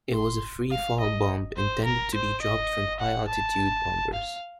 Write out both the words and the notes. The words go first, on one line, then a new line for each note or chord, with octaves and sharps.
It was a free-fall bomb intended to be dropped from high-altitude bombers.
C6
F5
D#5
C5
A#4
C5
D#5
F#5
A5
F5